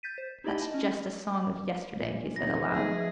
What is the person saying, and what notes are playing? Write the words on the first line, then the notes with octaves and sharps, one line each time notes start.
"That's just a song of yesterday," he said aloud.
G6 A6 B6 D#7
C5
D#4 E4 G4 D5 D#5 B5
D#5 A5
C#4
A#2
C3 B3 D#4 A#6
F3 B3 D#4 G#4 E5